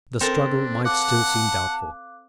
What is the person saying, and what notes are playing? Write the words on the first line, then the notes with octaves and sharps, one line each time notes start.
The struggle might still seem doubtful.
C4 D4 A4 A#4
F5 F#5 A5 D6 F#6